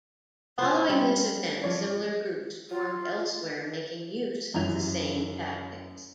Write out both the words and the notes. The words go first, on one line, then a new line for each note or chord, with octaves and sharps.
Following this event, similar groups formed elsewhere making use of the same tactics.
C#4 F4 C5
G3 F4
F3 C#5 D5
F4
F#2 E3 F7